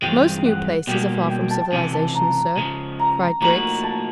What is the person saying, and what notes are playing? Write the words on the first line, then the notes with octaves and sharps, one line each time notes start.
"Most new places are far from civilisation, sir," cried Griggs.
G2 E3 G#3 C4 F4 G5
F#5
B2 G3 A#3 G5
G5
A5
A5
C#2 C3 E3 G#5
A5
A#5
C#2 C#3 F3
A#5
A2 F3 A#3 D#4 F#4 A#5
A5